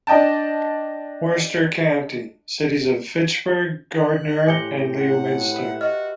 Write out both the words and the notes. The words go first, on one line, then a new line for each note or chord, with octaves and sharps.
Worcester County: Cities of Fitchburg, Gardner, and Leominster.
D4 D5 D#5 G5 A5
F#6
A2 G4 C5 G#5 A#5 C#7 G7
F#5
B4 E5
F#4 D#5 F6